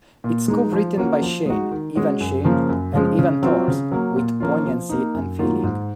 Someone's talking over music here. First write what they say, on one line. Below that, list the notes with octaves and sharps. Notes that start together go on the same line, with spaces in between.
It's co-written by Shane, Ivan Shane and Ivan Tors with poignancy and feeling.
A#2
G#3 D#4
F3
A#3 C#4 F#4
F3
G#3 D#4 F#4
D#3
G#3 C#4 F#4
F#2
C#3 F3 A#3
F#2
C#3 F3 G#3
C#3
F#3 C4 F4
C#3
F#3 A#3
A#2
F3 A#3 C#4 F4
F3
A#3 D#4
F#2
D#3 F#3 A#3 F4
G#2